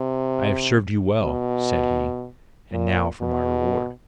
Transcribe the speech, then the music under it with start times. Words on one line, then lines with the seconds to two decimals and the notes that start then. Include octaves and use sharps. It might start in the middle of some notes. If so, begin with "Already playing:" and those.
'I have served you well,' said he, 'and now for my reward.'
Already playing: C3
1.23 B2
2.72 A#2
3.21 B2